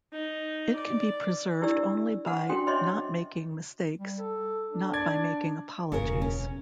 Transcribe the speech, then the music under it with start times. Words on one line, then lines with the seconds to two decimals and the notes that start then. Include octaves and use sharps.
It can be preserved only by not making mistakes, not by making apologies.
0.13 D#4
0.75 D5
1.61 D4 E4 G4 D5 E6
2.25 C5 F#5
2.49 C#4 D4 F#4 G5 C6 D#6
2.67 C5 C#5 D#5 E5 C6 D6
3.99 G3
4.19 A4
4.70 D4
4.93 D5 G#6
5.92 E1 C#3 F3 A#4
6.22 C#4